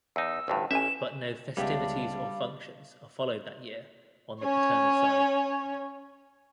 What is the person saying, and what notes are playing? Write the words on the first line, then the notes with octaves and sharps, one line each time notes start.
But no festivities or functions are followed that year on the paternal side.
E2 D#4 E6
A1 D2 G2
A1 C#4 E5 G#5 E7
C#2 G3 B3 D4 G4 G#4 E5 F5
C#4 C#5